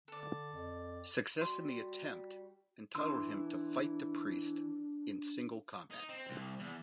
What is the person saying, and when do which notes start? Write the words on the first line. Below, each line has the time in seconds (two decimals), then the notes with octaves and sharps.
Success in the attempt entitled him to fight the priest in single combat.
0.08 D3 A4 D5
0.53 F2
1.41 G3 F#4 C6
2.95 E3 D4 C6 E6
5.91 D#4
6.09 C4
6.29 C2
6.59 E2